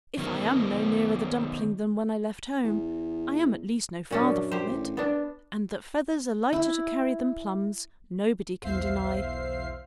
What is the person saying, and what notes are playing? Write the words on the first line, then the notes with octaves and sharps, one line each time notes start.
"If I am no nearer the dumpling than when I left home, I am at least no farther from it; and that feathers are lighter to carry than plums nobody can deny."
D#3 B3 D#4 A#4 C5
E2
F#2 A#2 C#4 D4
G4 C5
A1
B3 D4
E4
B1 E2 C5 E5 F5 C7